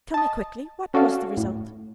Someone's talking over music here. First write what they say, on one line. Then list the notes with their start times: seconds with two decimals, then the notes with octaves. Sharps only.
"Tell me quickly--what was the result?"
0.14 D#5 A5
0.94 C#4 F#4 A4 D5 F5
1.37 A2